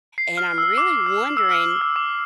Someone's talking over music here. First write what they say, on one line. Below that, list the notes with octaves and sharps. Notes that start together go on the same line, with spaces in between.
and I'm really wondering,
C7
F6
E6
D6
E6
E6
F6
E6
D6